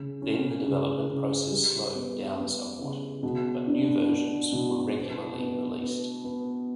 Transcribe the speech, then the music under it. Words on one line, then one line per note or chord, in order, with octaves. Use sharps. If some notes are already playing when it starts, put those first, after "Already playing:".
Then the development process slowed down somewhat but new versions were regularly released.
Already playing: C#3
C#4
C#3
C#3
G3
B3
B3
C#3
B2
D4
D4
B2
B3
B3
B3
B3